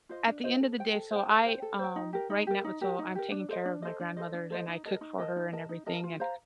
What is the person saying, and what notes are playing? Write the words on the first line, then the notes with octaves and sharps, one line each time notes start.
at the end of the day, so I um, right now so, I'm taking care of my grandmother, and I cook for her and everything, and
F4 C5 D#5
D4
F4 C5 D#5
A4
C5 G5
A4
C5 G5
A4
C5 G5
A4
C5 G5
D#4
G4 A#4
D#4
G4 A#4
D#4
G4 A#4
D#4
G4 A#4
D4
A4 C5 D#5
D4
A4 C5 D#5
D4
A4 C5 D#5
D4
A4 C5 D#5
D#4
A#4 D#5 A5
D#4
A#4 D#5 A5
D#4
A#4 D#5 A5
D#4
A#4 D#5 A5
F4
C5 F5 A#5